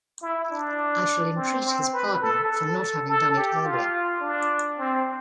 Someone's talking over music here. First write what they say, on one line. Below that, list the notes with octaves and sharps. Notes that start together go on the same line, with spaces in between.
I shall entreat his pardon for not having done it earlier.
E4
D4
C4
C4
B4
A4
A4
A4
G4
F4
D4
C4